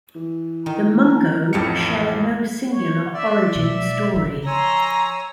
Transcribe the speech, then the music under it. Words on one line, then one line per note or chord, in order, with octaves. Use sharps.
The Mungo share no singular origin story.
E3
D#3 A#5
A1 F2 F5 G5 A5 C#7
C#5
D5 E5
B2 G#3 E5
F3 F4
C#5 G#5 A#5 C6 E6